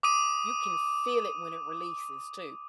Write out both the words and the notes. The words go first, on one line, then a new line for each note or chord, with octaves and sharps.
you can feel it when it releases, too.
D6 D#6 D#7